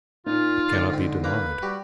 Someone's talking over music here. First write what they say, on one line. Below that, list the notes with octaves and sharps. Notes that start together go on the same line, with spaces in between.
'It cannot be denied.'
A#2 D#4 F4
D3 D5 C6
G#2 C4
A#3 B4 A#5
G3 F#4 G4